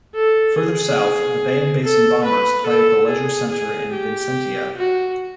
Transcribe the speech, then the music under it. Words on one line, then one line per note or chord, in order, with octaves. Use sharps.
Further south, the Bay and Basin Bombers play at the Leisure Centre at Vincentia.
A4
G#4
A4
B4
A4
G#4
G#4
G4
F#4